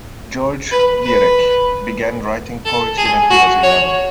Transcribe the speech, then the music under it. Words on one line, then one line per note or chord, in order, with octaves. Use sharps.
George Viereck began writing poetry when he was eleven.
B4
B4
A4
G#4
F#4
C#5